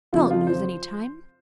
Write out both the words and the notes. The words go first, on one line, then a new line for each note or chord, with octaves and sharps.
Don't lose any time.
F2 C#3 F3 F4
F4
C5